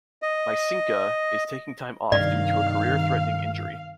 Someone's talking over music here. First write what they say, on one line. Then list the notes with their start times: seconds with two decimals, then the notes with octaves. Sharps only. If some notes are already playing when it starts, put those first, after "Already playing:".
Myskina is taking time off due to a career-threatening injury.
0.22 D#5
2.12 G2 C3 D#3 D5 F5